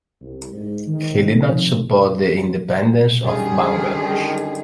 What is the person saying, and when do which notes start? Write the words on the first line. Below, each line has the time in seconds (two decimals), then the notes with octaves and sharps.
He did not support the independence of Bangladesh.
0.21 C2
0.52 G#2
0.88 D#3
1.35 F2
3.22 F#2 D3 D#3 G3 G#4